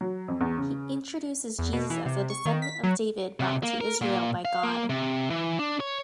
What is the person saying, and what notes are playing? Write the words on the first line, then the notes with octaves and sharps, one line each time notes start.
He introduces Jesus as a descendant of David brought to Israel by God.
F#3
F2
E2
C#3
E2
B2
E3
C3
C#6
D#3
B6
F#3
C3
A#3
A#4
A#2
F5
A#3
C3
E3
D4
C#5